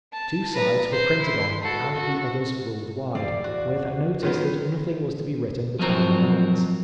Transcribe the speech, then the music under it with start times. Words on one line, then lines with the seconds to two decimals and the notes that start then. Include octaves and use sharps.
Two sides were printed on, and the others ruled wide, with a notice that nothing was to be written between the lines.
0.13 A5
0.53 B4 A#5
0.91 C5
1.22 E4 C6
1.61 F#4 A4
1.94 F#4
3.15 E2 D5 F5
3.44 F#4
4.23 D#3 F#3 B3 F4
5.79 F3 F#3 C4 A#4